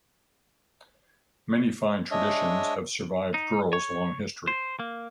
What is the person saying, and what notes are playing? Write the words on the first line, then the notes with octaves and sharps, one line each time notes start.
Many fine traditions have survived Girls' long history.
G#3 D4 C#5 D#5 E5
D#4
C#5
C5
A#3